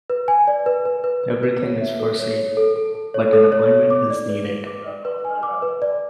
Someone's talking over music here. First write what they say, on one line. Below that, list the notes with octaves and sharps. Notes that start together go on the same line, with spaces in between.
Everything is for sale, but an appointment is needed.
B4
G#5
D5
B4
B4
B4
B4
B4
C#5
E5
A4
C#5
C#5
A4
A4
A4
C#5
A4
C#5
C#5
D6
D5
B4
B4
D6
D5
B4
G#5
D6
B4
D5